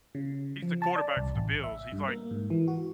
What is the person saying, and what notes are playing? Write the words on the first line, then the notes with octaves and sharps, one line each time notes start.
He's the quarterback for the Bills. He's, like
C#3
F3
A5
D5
C2
A1
E5
G2
A#3
G#2
E3
F#4